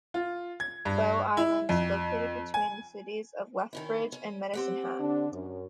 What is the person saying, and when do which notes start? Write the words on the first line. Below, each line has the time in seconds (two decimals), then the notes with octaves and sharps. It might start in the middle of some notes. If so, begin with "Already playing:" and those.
Bow Island is located between the cities of Lethbridge and Medicine Hat.
0.14 F4
0.60 G#6
0.85 G2
1.37 E4
1.69 F2
2.54 G#5
3.73 D#3 C#4 E4
4.12 C#4
4.53 C4 G4 F#5
5.00 D3 D4
5.32 F#2